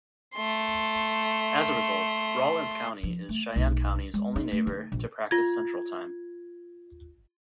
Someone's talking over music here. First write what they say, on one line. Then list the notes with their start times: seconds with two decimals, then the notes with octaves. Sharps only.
As a result, Rawlins County is Cheyenne County's only neighbor to practice Central Time.
0.34 A3 C6
3.03 F3
3.29 A3
3.56 B1
4.14 G#3
4.36 D#4
4.52 A3
4.67 D#3
4.92 A#1
5.31 F4 G#6